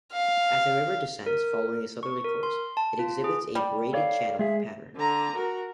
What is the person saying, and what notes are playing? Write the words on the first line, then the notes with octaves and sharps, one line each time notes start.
As the river descends following a southerly course, it exhibits a braided channel pattern.
F5
A#4
C#6
A#4
C6
A5
F4
G#4
G3
A4 C#5 D5 F5
G#3 G#4 E5
D3 A#5
F#4 A#4